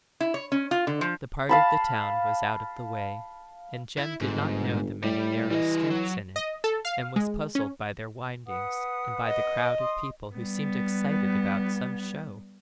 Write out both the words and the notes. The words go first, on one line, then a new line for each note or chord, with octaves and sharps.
The part of the town was out of the way, and Jem did not know the many narrow streets in it and was puzzled by their windings and by the crowd of people, who seemed excited about some show.
E4
C#5
C#4
F4
D3
F3
F5 A5 B5
E4
G1 G#2
A2 G3
E3 G3 D#5
F#3
D#5
A4
F5
G#3
C#4
B4 F#5 D#6
D#5
C6 D#6
G3 B3